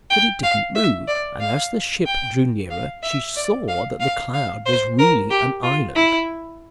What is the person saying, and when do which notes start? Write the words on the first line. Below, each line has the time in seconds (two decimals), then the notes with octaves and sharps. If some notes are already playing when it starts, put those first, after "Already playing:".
But it didn't move, and as the ship drew nearer she saw that the cloud was really an island.
0.10 G5
0.43 F5
0.75 E5
1.08 D5
1.40 F5
2.06 G5
2.70 F5
3.03 E5
3.36 D5
3.68 F5
4.00 F5
4.34 F5
4.66 C5
4.99 A#4
5.31 G4
5.63 F4
5.96 E4